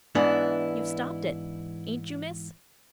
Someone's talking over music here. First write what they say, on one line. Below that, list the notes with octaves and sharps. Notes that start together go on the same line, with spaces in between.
"You've stopped it--ain't you, miss?"
G#2 E3 B3 D4 E4